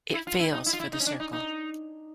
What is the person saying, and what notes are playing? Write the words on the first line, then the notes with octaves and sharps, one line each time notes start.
It fails for the circle.
E4
F4
E4
D#4
E4
F4
E4
D#4
C#4
D4
D#4
D#4